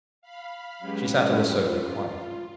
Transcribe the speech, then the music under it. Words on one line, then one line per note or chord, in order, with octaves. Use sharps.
She sat on the sofa quietly.
F5 B5
F#3 G#3 C#4 G4 B4
F4